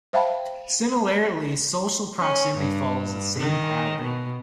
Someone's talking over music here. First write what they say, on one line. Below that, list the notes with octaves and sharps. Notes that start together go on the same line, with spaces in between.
Similarly, "social" proximity follows the same pattern.
C5 E5 F5 G5 A5 B5
C#4
G2
D#3
B2